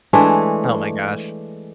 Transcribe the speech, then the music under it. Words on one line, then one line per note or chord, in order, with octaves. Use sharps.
Oh my gosh.
E3 G#3 A3 D4